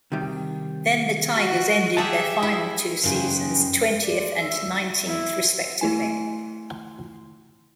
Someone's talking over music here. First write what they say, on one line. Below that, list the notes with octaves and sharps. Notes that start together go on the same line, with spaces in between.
Then, the Tigers ended their final two seasons twentieth and nineteenth, respectively.
C3 D#3 G3
F#4
G4 G#4 E5 F#5 A5
E4
F#2 C#3 E3 F3 G#4 G5
D5
E5
E4
A3 E4 G#5